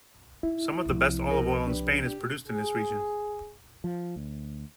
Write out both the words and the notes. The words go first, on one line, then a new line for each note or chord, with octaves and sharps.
Some of the best olive oil in Spain is produced in this region.
D#4 E4
C2 F3
D#4 A#4
D4 G4 B4
G4
G#4
F3
D2